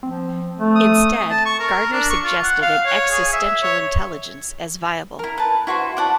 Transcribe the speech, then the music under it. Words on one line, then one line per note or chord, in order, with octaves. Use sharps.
Instead, Gardner suggested an "existential intelligence" as viable.
F3 C4
A3
D#6
A5
C#6
A#4
D4
C#6
F4
F#5
F5
C#5
G#4
E5
C#5
E4 A#4
B4 A5
E4 F#4 B4 C5
D5 F#5 A5